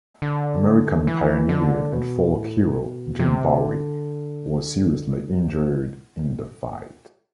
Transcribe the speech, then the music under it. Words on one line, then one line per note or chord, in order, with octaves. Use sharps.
American pioneer and folk hero Jim Bowie was seriously injured in the fight.
D3
E3
D3
B2
A2
B2
C3
D3